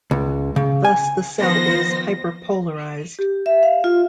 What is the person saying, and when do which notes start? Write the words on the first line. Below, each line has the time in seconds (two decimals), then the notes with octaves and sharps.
Thus the cell is hyperpolarised.
0.11 C#2
0.56 C#3
0.85 G#5
1.39 D#3 F3 B3 C5 A#6
3.19 G4
3.46 E5
3.63 F5
3.84 F4